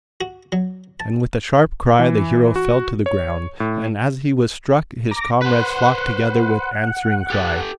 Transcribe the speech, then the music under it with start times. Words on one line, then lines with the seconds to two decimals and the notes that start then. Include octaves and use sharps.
And with a sharp cry the hero fell to the ground; and as he was struck his comrades flocked together with answering cry.
0.21 F#4
0.52 F#3
1.00 A5
1.99 E3
2.56 F#4
3.06 C#5
3.60 A2
5.11 A#5 D6 A#6
5.42 B4 C5 F#5
7.30 G4 A4